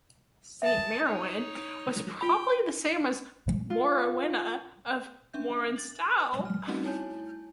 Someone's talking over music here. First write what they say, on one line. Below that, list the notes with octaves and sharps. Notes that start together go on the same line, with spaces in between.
Saint Marwenne was probably the same as Morwenna of Morwenstow.
G#4 E5 A5
D#4 C#5
F4 G5 B5
F4
C#4 D4 E5 G6
A6 F#7
B4 G#5
F6
G3 A3 C4 C#4 D#4 F#4
E4 C#5 G#5 A5 G6